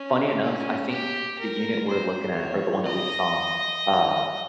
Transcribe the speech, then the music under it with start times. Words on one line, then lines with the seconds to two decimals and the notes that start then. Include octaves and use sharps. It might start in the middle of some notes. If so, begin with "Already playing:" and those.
funny enough, I think the unit we're looking at or the one that we've saw, um,
Already playing: C#4
0.42 C#4
0.90 G4
1.39 A#4
1.88 C5
2.35 C#5
2.85 D#5